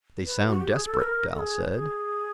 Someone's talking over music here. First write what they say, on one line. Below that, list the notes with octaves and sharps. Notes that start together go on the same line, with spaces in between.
"They sound desperate," Dal said.
B4
F#4
G4
G#4
A4
B4
A#4
A4
G#4
G#4